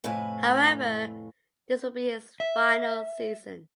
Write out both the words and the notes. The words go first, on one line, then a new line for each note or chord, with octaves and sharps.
However this would be his final season.
F2 A2 C3 A3 B4 G#5
E5